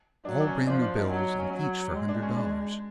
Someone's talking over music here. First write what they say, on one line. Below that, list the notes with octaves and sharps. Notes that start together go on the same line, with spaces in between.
"All brand new bills and each for a hundred dollars."
F#3 D4
D4
C#4
F3 D4
D4
D#4
F#3
C#4
F#3
G#3
D4
C#4
D4